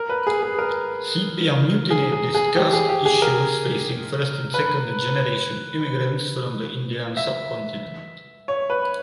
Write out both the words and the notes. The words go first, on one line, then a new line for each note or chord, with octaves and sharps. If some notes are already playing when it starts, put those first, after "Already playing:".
Sepia Mutiny discussed issues facing first and second generation immigrants from the Indian subcontinent.
Already playing: A#4
B4
G#4
G#4
A#4
G#4
G#4
G#4
G4
G#4
G4
G#4
A#4
B4
E5
C#5
B4